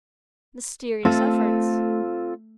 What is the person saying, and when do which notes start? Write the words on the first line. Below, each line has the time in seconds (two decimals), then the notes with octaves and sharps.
Mysterious efforts!
1.05 A3 C4 F4 A4